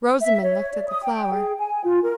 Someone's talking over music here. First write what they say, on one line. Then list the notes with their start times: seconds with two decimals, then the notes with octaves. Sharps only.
Rosamond looked at the flower.
0.21 E5
0.42 C#5
0.73 D5
0.88 D#6
1.03 G5
1.32 G#4
1.59 G#5
1.84 F4
2.02 A#4